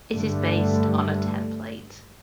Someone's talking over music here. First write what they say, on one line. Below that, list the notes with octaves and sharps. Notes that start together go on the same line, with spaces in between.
It is based on a template.
G2 D3 A3